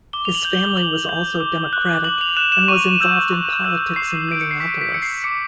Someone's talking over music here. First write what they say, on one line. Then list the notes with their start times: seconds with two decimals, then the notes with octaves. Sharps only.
His family was also Democratic and was involved in politics in Minneapolis.
0.13 D6 G7
0.25 F7
0.35 F#7
0.45 G6
0.55 G7
0.77 D6 F#7
1.09 G6
1.40 D6
1.73 F#6
2.04 D6 F#7
2.21 F7
2.37 F#6 E7
2.52 E7
2.68 C#6 D#7
3.00 E6 G6
3.33 C#6
3.65 E6 G6
3.96 C#6 C7
4.29 E6 G6 D7
4.41 C#7
4.51 C7
4.60 C#6 B6
4.81 B6
4.92 E6 G6 C#7
5.02 C7
5.24 D6 C#7